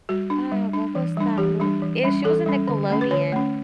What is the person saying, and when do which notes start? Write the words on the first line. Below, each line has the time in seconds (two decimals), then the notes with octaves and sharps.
Uh, what was that movie? Eh, she was a Nickelodeon,
0.09 G3 F#4
0.30 D4
0.52 G3
0.73 D4
0.95 E3
1.17 G3 D4
1.38 E3 G4
1.60 G3 D4
1.82 E3
2.03 G3 C#4
2.24 E3 A4
2.46 G3 C#4
2.68 D3
2.90 A3 C#4
3.01 B4
3.11 D3 C#5
3.32 A3 C#4